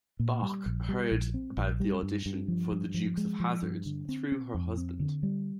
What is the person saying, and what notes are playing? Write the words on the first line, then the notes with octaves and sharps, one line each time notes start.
Bach heard about the audition for "The Dukes of Hazzard" through her husband.
A#2
G3
A#1
G3
A#1
C4
A#1
G3
G2
G2
F3
G2
F3
G#3
F3
G2
D3
C4
C4
F2
C4
D3
G3